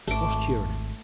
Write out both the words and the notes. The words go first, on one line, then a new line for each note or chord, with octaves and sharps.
What's cheerin' him?
G#1 A3 D6